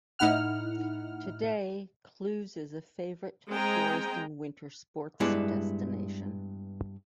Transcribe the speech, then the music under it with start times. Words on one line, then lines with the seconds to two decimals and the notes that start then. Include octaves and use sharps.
Today, Cluses is a favorite tourist and winter sports destination.
0.19 A2 D#4 E4 F#5 F6
3.51 G#3 C4 G5 G#5 A#5
5.20 G2 G#3 B3 E4 D5